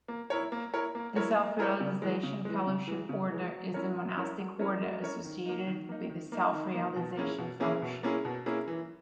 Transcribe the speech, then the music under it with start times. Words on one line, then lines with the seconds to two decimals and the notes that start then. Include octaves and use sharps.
The Self-Realization Fellowship Order is the monastic order associated with Self-Realization Fellowship.
0.08 A#3
0.30 E4 A#4 C#5
0.52 A#3
0.73 E4 A#4 C#5
0.95 A#3
1.16 E4 A#4 C#5
1.38 A#3
1.59 E4 A#4 C#5
1.80 C#3
2.02 E3 G#3
2.23 C#3
2.45 E3 G#3
2.67 C#3
2.87 E3 G#3
3.09 C#3
3.30 E3 G#3
3.52 F#3
3.74 C#4 E4 A#4 C#5
3.95 F#3
4.17 C#4 E4 A#4 C#5
4.38 F#3
4.59 C#4 E4 A#4 C#5
4.81 F#3
5.02 C#4 E4 A#4 C#5
5.24 D#3
5.46 A#3 D#4
5.67 D#3
5.89 A#3 D#4
6.10 D#3
6.32 A#3 D#4
6.53 D#3
6.74 A#3 D#4
6.96 B2
7.17 A#3 C#4 E4 G#4
7.38 B2
7.60 A#3 C#4 E4 G#4
7.82 B2
8.03 A#3 C#4 E4 G#4
8.25 B2
8.46 A#3 C#4 E4 G#4
8.68 E3